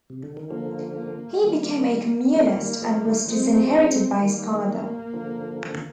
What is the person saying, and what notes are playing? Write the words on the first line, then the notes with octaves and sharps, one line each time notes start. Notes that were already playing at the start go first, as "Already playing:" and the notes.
He became a Communist and was disinherited by his father.
C3
D3
D#3
D3 F3 A#3
A#3
G#3
D#3 G3 A#3
F3 G#3 A#3
F3
D#3 G3
F3 G#3
D#3 G3
F3 G#3 C4
D#3 G3 A#3
D3 F3